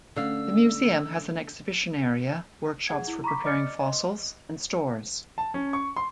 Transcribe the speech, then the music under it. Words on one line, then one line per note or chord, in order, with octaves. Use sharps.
The museum has an exhibition area, workshops for preparing fossils, and stores.
D3 A3 C#4 F5 E6
G#4 F#5 G#6
E4
A#5 B5 C#6 D6 B6
D5 D#5 D6 F6 A6 C#7
D#5 C6
A5
C#4
C#6
C6